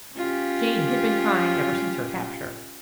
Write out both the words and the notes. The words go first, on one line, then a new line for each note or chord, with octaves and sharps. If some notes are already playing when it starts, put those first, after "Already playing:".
Jane had been crying ever since her capture.
C#4 F4 G4